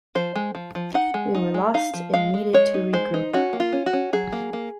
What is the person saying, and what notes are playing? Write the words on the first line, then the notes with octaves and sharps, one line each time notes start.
We were lost and needed to regroup.
F3 C5
G#3
F3
F3
D#4 F#5
G#3
D#4
G#3
D#4 F5
F3
G#3 F5
G#3
G#3 C#5
D#4
G#3 C5
D#4
C#4 F#4
A#3
F4
C#4
F#4
C#4
F#3 G#4
A#3
A#3